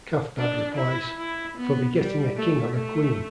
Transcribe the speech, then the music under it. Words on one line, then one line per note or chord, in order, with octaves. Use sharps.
Cathbad replies, "for begetting a king on a queen".
D4
E4
E4
B3
G3
A3
A3